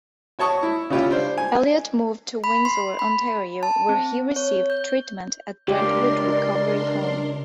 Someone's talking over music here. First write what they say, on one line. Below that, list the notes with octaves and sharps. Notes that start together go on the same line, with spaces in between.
Elliot moved to Windsor, Ontario, where he received treatment at Brentwood Recovery Home.
F#4 C#5 A5 C#6 D#6
E4
C#3 C#4 E4 F4 G4
D4 C5
G#5
B5
C6
B5
A5
C4
C#5
G6
C#2 D4 G4 A#4 D5 C6